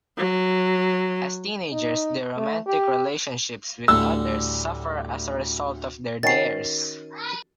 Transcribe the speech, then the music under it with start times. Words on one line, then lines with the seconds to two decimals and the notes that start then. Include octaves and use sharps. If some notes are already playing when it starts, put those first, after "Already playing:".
As teenagers their romantic relationships with others suffer as a result of their dares.
0.17 F#3
1.72 D#4
2.37 A3
2.67 G4
3.88 D2 A2 D3 G3 A3 G#5 E6
6.23 D#3 C#4 F#4 A6 C7